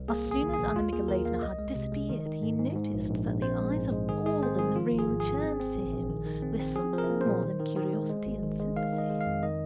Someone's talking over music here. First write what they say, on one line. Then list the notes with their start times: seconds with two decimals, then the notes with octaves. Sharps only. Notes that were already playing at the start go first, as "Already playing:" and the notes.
As soon as Anna Mikhaylovna had disappeared he noticed that the eyes of all in the room turned to him with something more than curiosity and sympathy.
Already playing: C2
0.08 A#3 G#4
0.26 A#1
0.31 G#4
0.42 D#3
0.53 G#4
0.59 A#1
0.76 D#2 F4
0.93 A#3 G#4
1.08 D#2 A#4
1.25 A#3 F5
1.42 C2 D#5
1.59 G#3
1.75 C3
1.92 G#3
2.09 D#3
2.25 D#3
2.42 G#2
2.59 G#2
2.76 G#2
2.93 A#1
3.09 A#1
3.26 A#1
3.42 C4 C5
3.59 G#3
3.76 G#2
3.92 G#3
4.09 D#3 G#4
4.26 G#3 G#4
4.43 C4 C5
4.59 D#3 G#4
4.76 F3 F4
4.92 G#1
4.98 G#4
5.09 G#2
5.20 G#4
5.26 G#1
5.42 C4
5.60 C4
5.76 A#1
5.93 A#1
6.10 D#3
6.26 D#3
6.42 C4
6.60 C4
6.76 F3 G#4
6.93 F3
6.98 A#4
7.10 A#3
7.21 C5
7.26 A#2
7.43 D#3
7.60 D#3
7.76 D#3
7.93 G#3
8.09 G#3
8.26 G#1
8.43 D#3
8.60 G#3
8.76 D#3 F5
8.93 D#3
8.98 D#5
9.10 G#3
9.21 F5
9.26 F2
9.43 D#3 D#5